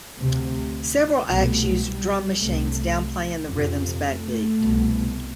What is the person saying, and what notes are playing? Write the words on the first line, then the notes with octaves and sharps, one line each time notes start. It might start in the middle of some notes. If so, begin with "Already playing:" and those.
Several acts used drum machines downplaying the rhythm's backbeat.
D2 C3
C2 B2 A3
G3
C2 C3 A3
F2
C3
A3
C2 B2